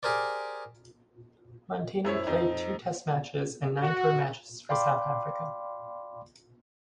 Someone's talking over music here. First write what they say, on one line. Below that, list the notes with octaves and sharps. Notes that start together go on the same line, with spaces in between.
Montini played two test matches and nine tour matches for South Africa.
G4 G#4 A#4 C5 D5
F#2 E4 C5 C#5 A#5
F2 D#4
F#4
D5 F5 G5 B5 C6 D6